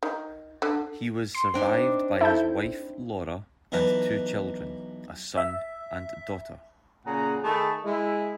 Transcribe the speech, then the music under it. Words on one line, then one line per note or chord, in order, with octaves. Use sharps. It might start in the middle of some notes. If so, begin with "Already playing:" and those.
He was survived by his wife, Laura, and two children, a son and daughter.
D#3
D3
C6
C4 D4 D#4
E4 A4 G6
B1 B2 E3 B4 A5 A#5
E5
A#2 C#3 G#4 F#5 A#5
D#3 A3 G#4 A4 A5 B5
G#3 E4